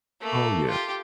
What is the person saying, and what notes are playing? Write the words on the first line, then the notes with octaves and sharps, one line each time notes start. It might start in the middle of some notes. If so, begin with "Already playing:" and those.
Oh, yeah.
A3 A#3
F4 G4